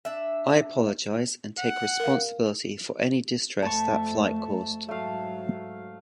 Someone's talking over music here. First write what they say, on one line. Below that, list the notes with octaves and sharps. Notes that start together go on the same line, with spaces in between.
I apologize and take responsibility for any distress that flight caused.
D4 E5
F#5
A#4 F5
F2 A3 A5 C#6
G#2 F#3 A3 F5